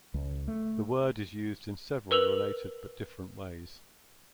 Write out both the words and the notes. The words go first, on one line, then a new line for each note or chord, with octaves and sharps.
The word is used in several related but different ways.
C#2
A3
A#4 B4 E6 F7 F#7